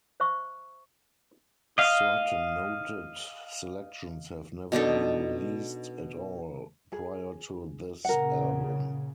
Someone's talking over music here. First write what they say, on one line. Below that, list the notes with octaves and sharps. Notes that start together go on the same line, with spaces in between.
Certain noted selections have never been released at all prior to this album.
C5 E5 C#6
D#5 F5
B2 D4 D#4 A4
G#4
A#2 C#3 A#4 F#5